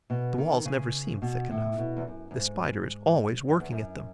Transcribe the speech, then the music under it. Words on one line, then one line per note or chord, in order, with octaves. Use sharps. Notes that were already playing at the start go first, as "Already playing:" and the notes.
The walls never seem thick enough; the Spider is always working at them.
B2
D#3
C#3
B2
A2
B2
E2
F#2
F#2
G#2
F#2
E2
F#2